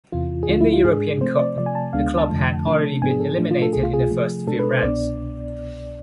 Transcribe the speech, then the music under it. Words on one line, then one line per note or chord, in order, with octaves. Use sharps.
In the European Cup, the club had already been eliminated in the first few rounds.
E2 C3 E3 F4
G#4
D2 D3 F3 G#3 D4 F4
E4
F4
G#2 G#3 D4 G#4
C3 F3 A3 C4 C5
D5
C3 F3 A3 D5
G#5
A5
D2 D3 G#3 B3 D4 F5
A5
F2 D3 F3 A3
C3 F3 A3 D4
G#2 F3 B3 D4 G#5
G#4
A4
G#4
A2 F3 A3 D4
F4
A4
C2 B2 A3 G#4
F4
G#4
C3 F3 A3
B2 G#3 D4 A4
B4
C5
C2 B2 B3 D4 D5